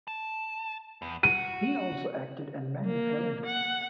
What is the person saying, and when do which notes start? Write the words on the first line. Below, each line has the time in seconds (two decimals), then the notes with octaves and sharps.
He also acted in many films.
0.08 A5
1.02 E2
1.23 F#4 F#5 D#7
2.86 A#3
3.45 F#5